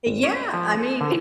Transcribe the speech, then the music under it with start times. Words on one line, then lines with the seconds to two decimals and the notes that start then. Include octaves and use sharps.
Eh yeah. I mean,
0.07 G#1
0.23 C#4
0.54 F3
0.78 A4
1.01 D3